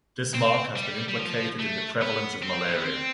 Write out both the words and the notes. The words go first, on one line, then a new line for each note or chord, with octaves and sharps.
This mark has been implicated in the prevalence of malaria.
C4
G3
G3
F3
A3
B3
C4
A3
B3
C4